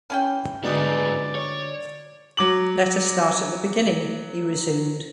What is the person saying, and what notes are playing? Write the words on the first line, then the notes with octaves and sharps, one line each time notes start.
"Let us start at the beginning," he resumed.
E3 C#4 F5 G5
D2 G#2 B3 D#4 D5 D#6
C#5
F#3 D6 F#7